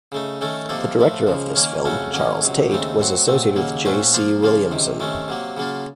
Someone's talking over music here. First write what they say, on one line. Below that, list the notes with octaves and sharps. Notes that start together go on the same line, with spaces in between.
The director of this film, Charles Tait, was associated with J. C. Williamson.
C#3 A3 D#4
D#3 A3 C#4 A4
C3 F3 A#3 D#4 A4
A2 F3 A3
C#2 C#3 F3
D#3 A#3 C#4
F2 C#3 A3 C#4 F#4
D#3 F#3 A#3 C#4
C#2 C3 F#3
D#2 C#3 A3 C4 D#4
A2 F#3 C4 F#4
A#2 F#3 A3 C4
D#2 C#3 F#3 A#3
A#2 A3 C#4 F#4 C5
F3 A#3 F4 C5
C#3 F3 A#3 F4
C#2 C3 D#3
C3 D#3 A3 C#4
C3 F#3 A#3
C#3 F#3 A#3 F4